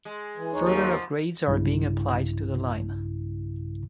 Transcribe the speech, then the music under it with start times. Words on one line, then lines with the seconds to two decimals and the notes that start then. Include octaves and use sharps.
Further upgrades are being applied to the line.
0.05 G#3
0.37 E3
0.53 D#2 D#4 C#5
0.66 G#2 F3
1.47 B1 G2 C#3 E4